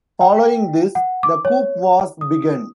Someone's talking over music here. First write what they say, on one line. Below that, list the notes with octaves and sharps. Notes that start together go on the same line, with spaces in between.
Following this, the coup was begun.
G5
F#5
D6
C#5
D#6